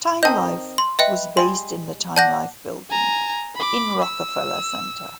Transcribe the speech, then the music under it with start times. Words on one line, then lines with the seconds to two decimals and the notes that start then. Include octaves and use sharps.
Time Life was based in the Time Life building in Rockefeller Center.
0.23 D#3 C4 D#5 A5 G6
0.78 C6
0.99 B4 D#5 E5 G5
1.37 G3 G#3 C6
2.16 D5 F#5 A5 G6 A#6
2.90 G#5 A#5
3.56 B5 D6
4.02 E6